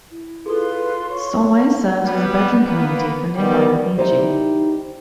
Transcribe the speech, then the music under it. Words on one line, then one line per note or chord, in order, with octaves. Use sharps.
Solway serves as a bedroom community for nearby Bemidji.
E4
F4 G#4 A4 B4 C6
C#5 C#6
G3 B3
A#3 B3
D#3 G3 B3
D#4 E4 G4 C5 D5